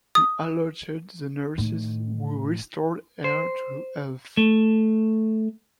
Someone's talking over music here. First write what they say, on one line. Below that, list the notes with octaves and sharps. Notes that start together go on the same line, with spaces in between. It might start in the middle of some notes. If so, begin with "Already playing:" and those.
He alerted the nurses, who restored her to health.
D#6
A2 D#3
C5
A3